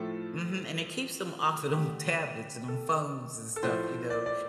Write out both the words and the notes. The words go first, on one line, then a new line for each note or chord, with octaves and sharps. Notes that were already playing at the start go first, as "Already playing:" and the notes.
Mhm, and it keeps them off of them tablets and them phones and stuff, you know?
Already playing: A2 F3 A3 A4
D3 A3 G4
A4
A4
A2 F3 A3 C5
D5
D5